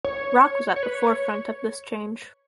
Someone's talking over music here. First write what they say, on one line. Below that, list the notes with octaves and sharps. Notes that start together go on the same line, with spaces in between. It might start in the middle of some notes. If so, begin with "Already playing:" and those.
Rock was at the forefront of this change.
C#5
C#5
B4
C#5